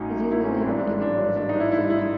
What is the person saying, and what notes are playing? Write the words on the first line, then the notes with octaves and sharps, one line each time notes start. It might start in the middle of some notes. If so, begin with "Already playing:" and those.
Zero is the additive inverse of itself.
Already playing: A1 A2 F#3 C#4 D#4
E4
C#4
C4
G#1 G#2 E3 D4
D4
D4
D#4
E4
E4
E4